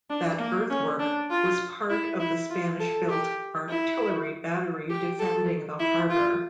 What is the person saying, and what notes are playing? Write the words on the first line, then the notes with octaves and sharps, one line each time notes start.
That earthwork was part of the Spanish-built artillery battery defending the harbor.
D4
A#3
C#4
D4
F4
E4
E4
F4
A4
G4
E4
G4
A4
E4
F4